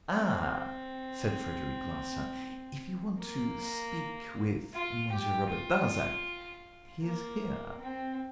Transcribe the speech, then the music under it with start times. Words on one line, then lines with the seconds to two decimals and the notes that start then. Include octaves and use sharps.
"Ah!" said Frederic Larsan, "if you want to speak with Monsieur Robert Darzac, he is here."
0.14 C4
3.20 A#3
4.73 F4
5.12 G4
5.50 F4
7.03 A#3
7.81 C4